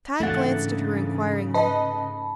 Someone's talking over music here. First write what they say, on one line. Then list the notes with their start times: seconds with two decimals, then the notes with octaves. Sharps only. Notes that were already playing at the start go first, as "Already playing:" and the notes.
Tad glanced at her inquiringly.
0.20 G#2 C#3 E3 A3 D4 F#5 A6
1.54 B4 D#5 A5 B5